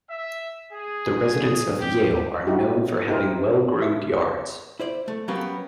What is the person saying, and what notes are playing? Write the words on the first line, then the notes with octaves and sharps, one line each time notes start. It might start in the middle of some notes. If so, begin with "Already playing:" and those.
The residents of Yale are known for having well-groomed yards.
E5
G#4
G#4
G4
D#4 E4 F#4 G4
D#4 E4 G4 A#4 C5
E5
E4 C5 D5
A3
F#3 G3 A#3 B3 C#4 G4